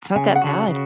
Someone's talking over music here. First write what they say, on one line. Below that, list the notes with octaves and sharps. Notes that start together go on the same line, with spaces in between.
it's not that bad.
C#3 G#5
F#5
F#4
C#3